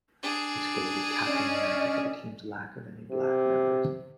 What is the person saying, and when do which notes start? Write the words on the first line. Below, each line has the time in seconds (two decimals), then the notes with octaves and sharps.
He scolded Captain America for the team's lack of any black members.
0.23 D4 G#4
1.26 C#4 D5 D#5
3.11 C3